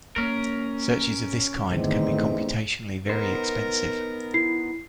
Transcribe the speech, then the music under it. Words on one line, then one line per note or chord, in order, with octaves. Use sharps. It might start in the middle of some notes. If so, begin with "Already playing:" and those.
Searches of this kind can be computationally very expensive.
A#3 C#4 A#4
E2 G#2 D3 D#3 A3 C4 D#4
B3 D#4 A#4 C5
E4 C7